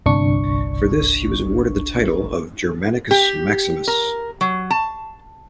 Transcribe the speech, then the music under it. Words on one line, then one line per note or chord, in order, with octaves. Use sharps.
For this he was awarded the title of Germanicus Maximus.
G1 C2 D4 C#6
G4
A#4
F#3
A5